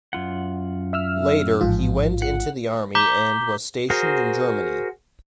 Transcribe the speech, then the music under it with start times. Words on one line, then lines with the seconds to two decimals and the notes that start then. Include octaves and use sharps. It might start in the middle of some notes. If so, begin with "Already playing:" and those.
Later, he went into the army and was stationed in Germany.
0.13 F#2 F4 F#5
0.93 E5 E6 F6
1.61 A1 G#2 F3 F4
2.22 F#5
2.95 A#5 D6 G6 B6 G7
3.90 F#4 G#4 A#4 C5